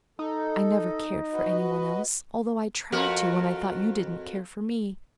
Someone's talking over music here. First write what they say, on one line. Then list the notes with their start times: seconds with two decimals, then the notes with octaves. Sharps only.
I never cared for anyone else--although I tried to, when I thought you didn't care for me.
0.19 D#4 A4
1.32 F#4 B4 D#5
2.92 F2 F#4 A#4